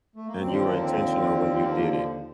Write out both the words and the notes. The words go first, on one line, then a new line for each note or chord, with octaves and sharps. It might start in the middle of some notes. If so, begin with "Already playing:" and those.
And you were intentional when you did it.
A3
A#3
D#2 D3 F3 C4
C4
A#3
C4
A#3